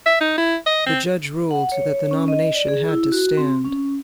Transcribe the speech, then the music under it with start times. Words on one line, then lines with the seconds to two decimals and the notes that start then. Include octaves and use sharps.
The Judge ruled that the nomination had to stand.
0.06 E5
0.20 D#4
0.38 E4
0.66 D#5
0.87 C4
1.51 F#5
1.72 C#5
2.11 C#4
2.28 D#5
2.55 D5
2.68 G#4
2.89 E4
3.12 F#4
3.37 C4
3.65 C#4